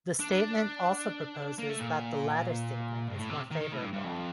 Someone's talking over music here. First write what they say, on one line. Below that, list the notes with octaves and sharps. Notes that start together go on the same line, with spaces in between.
The statement also proposes that the latter statement is more favorable.
D4
A#3
A3
A#2
G2
A2
C3
D#3
D#3
A2
G2
G2
F2